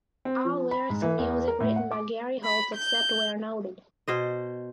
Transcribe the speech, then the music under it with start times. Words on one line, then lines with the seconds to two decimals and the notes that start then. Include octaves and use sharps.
All lyrics and music written by Gary Holt except where noted.
0.25 C4
0.45 F3
0.71 B5
0.90 G#2
1.02 E3
1.18 E2
1.48 A#4
1.60 A2
1.76 F#5
1.91 D6
2.44 B5
2.75 G6
4.08 B2 C5 D#5